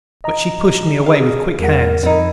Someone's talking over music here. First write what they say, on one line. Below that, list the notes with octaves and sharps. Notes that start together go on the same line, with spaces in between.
But she pushed me away with quick hands.
D#5 A#5
G#4 F5
E2 G3 A#4 F#5
F2 D#4 E4